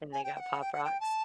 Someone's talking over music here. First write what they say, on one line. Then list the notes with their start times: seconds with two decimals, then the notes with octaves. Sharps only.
And they got Pop Rocks.
0.13 G#5
0.24 G5
0.34 G5
0.39 F#5
0.61 G5
0.72 F#5
0.84 G5
1.00 A5